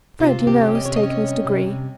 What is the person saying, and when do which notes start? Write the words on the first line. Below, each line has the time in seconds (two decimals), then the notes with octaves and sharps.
Fred, you know, has taken his degree.
0.20 C3 F4
0.40 C3
0.47 G4
0.61 C#4
0.75 D#5
0.83 C3 C#5
0.96 D#5
1.03 C#4
1.24 G3
1.45 C3
1.66 C3